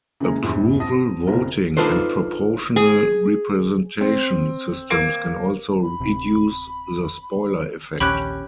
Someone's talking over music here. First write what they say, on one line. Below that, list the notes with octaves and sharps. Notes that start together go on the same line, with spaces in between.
Approval voting and proportional representation systems can also reduce the spoiler effect.
C#3 E3 G#3 A#3 G#4 A#4
A#1 E2 G2
C4 A5 D#6 A#6
F#1 C2 E4 A#4 C5
D4 D#4 F4 A4 B4 C5
G#4
C4
A#3
B5
D1 C3
A#1 D#2 C#4 G4 B5 F#6